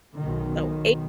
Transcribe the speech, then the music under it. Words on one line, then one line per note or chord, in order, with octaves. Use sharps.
So a
B1 D#3